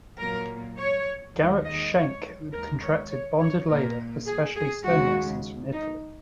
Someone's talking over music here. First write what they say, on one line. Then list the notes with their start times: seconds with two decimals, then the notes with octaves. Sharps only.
Garret Schenck contracted bonded labor, especially stonemasons from Italy.
0.19 A#2 F#3 A#3 A#4
0.78 C#5
1.36 D#2 D#3 G#3
1.65 D#5
1.94 C#5
2.52 D#2 D#3 G#3 A#4
2.81 C#5
3.11 C#5
3.40 C#5
3.68 A#2 A#3 A#4
4.27 G#4
4.56 G#4
4.85 D#2 C#3 G#3 F#4
5.72 D#4